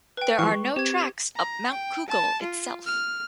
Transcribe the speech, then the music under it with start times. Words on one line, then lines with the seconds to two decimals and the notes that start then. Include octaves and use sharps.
There are no tracks up Mount Cougal itself.
0.17 B4 G5
0.39 E3 F3 G#3 C#6
0.52 G#3
0.76 C4 G4 G#6
1.36 A#5
1.71 G5
2.09 A5
2.42 F4
2.86 F6